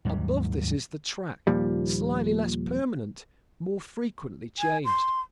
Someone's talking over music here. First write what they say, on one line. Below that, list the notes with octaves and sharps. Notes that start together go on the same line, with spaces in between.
Above this is the track, slightly less permanent, more frequently changed.
D#2 G#2 F#3 G3
D#2 A#2 F3 G3
G#5
C6